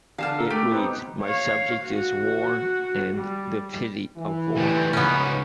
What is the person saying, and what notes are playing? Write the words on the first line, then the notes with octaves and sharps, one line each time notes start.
It reads: My subject is War, and the pity of War.
D3 F5 A5 F6
A4 A#4
A3 G4
B3 C4 D#4
C#5 F5
F#4
G3
E3
A2 G3
C#2 B3 C#4 D#4